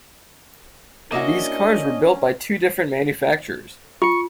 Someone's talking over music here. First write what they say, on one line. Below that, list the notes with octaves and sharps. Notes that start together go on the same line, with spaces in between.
These cars were built by two different manufacturers.
A#3 C#4 D4 E4 F#4 D#5
F4 C#6 C#7